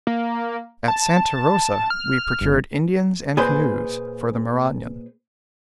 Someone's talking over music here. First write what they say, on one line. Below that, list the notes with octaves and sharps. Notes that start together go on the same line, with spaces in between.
At Santa Rosa we procured Indians and canoes for the Maranon.
A#3
A5
F6
G1
A#2 G#4 B4 C5